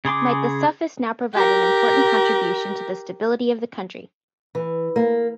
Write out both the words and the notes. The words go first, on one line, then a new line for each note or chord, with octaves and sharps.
Might the Sufis now provide an important contribution to the stability of the country.
C#3 G#4 C6 D6
G4 A#4
E3
A#3